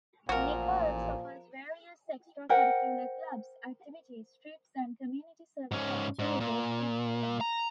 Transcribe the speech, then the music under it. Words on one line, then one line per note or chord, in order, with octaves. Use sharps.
Nichols offers various extracurricular clubs, activities, trips and community service opportunities to students.
A1 A#2 F3 F#4 A#4
A#4 C5 F#5 G5
G#2 C#4
G#2
A#2
A#5